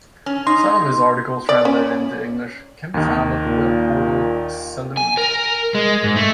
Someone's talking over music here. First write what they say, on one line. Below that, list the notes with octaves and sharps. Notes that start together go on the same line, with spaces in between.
Some of his articles translated into English can be found at the webportal Salon.
C#4
D#4 C6
D5
C#4
D#2 D#3
A#2
G#5
A#4
G#3
G#2
A3